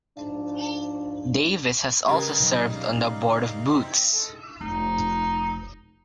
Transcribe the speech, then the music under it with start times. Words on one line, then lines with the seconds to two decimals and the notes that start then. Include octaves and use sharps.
Davis has also served on the board of Boots.
0.18 G#2 F3 D4
2.08 C#3 G3 A#4 B4 D#5 G5 G#6 A6
2.40 B2 F#3 D#4
2.73 D5 F5
3.67 C4 E5
4.14 G#3 A4
4.61 F1 D#4